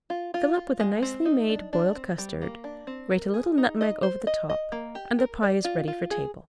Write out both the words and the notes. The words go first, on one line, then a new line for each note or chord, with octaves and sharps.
Fill up with a nicely-made boiled custard, grate a little nutmeg over the top, and the pie is ready for table.
F4
F4
F4
G#3
C4
D#4
D4
D4
C4
G3
A#3
D4
C4
A#4
G#4
D#4
D#5
C5
D#5
D#5
A#3
G4
A#4
D5
F4
F4
G#4